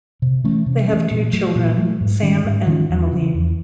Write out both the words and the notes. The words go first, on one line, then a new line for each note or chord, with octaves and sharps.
They have two children, Sam and Emelyn.
C3
E3 A3 C#4
C3
E3 A3 C#4
A#2
F#3 A3
A#2
F#3 A3
G#2
D#3 G#3 C#4
G#2
D#3 G#3 C#4
E2
C#3 F3
E2